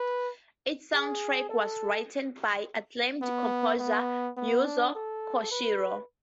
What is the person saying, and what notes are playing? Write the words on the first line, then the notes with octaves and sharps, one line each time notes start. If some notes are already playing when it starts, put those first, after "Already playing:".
Its soundtrack was written by acclaimed composer Yuzo Koshiro.
Already playing: B4
G#4
A4
B3
B3
B3
D4
A4
B4